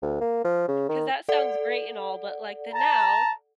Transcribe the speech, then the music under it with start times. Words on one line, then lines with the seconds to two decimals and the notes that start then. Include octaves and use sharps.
'Cause that sounds great and all, but like the now,
0.02 D2
0.21 A#3
0.44 F3
0.68 C#3
0.89 D#3
1.29 A4 D5 F#5
2.73 A5 A#5